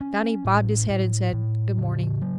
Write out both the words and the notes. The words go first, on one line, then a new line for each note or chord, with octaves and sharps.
Johnny bobbed his head and said, "Good morning."
C#4
A2
A2
A2
C#3
F#3